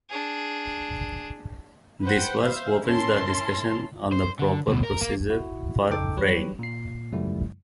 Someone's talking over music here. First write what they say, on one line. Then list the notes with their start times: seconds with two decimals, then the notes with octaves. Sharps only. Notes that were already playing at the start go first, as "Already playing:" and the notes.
This verse opens the discussion on the proper procedure for praying.
0.10 D4 G#4
2.03 B4 C5 F#5 G5
2.40 C5 E5 F5
2.84 C#4 E4 A#4 A5 C6
4.12 C5
4.39 D3
4.67 D2 B2
4.83 A#4
5.01 A#3
5.30 E4 F#4
5.89 F2 C#3 D#4 A4 G5 D6
6.16 E3 F#3 G3 G4 B4 C#5
6.59 A#2 C7
7.12 F#2 C#3 F3 G3 A3 E4